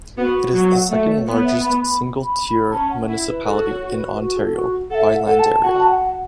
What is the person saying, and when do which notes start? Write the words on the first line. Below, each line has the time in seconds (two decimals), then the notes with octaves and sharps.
It is the second largest single-tier municipality in Ontario by land area.
0.17 B3 F#4
0.54 F#3 F#4
0.72 F#5
0.90 A3 E5
1.08 C#5
1.26 B3 C#5
1.44 E5
1.63 B5
1.81 B5
2.24 B5
2.47 B5
2.71 C#4 A5
2.90 F#5
3.09 E4
3.27 B4
3.45 F#4 A4
3.69 C#5
3.94 B4
4.18 F#4
4.37 A4
4.55 F#4
4.91 A4 E5 F#5
5.15 F#5
5.27 A4 F#5
5.39 A5
5.63 F#4 F#5
5.79 A5
5.88 F#5